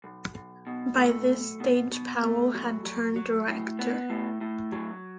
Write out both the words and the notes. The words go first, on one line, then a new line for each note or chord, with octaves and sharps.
By this stage Powell had turned director.
B1
B1
B2
A3
B1
B2
B2
A3
F#3
F#3
F#3
A2
B3
A2
A2
F#3